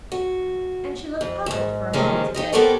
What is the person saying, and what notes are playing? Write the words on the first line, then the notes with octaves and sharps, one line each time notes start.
And she looked puzzled for a moment again.
F#4
F2
D#2 G#2
C3 D#3 F3 G#3 A#3 C#4
D#4 G4 D#5
B3 C4 G4 A4 A#4 C#5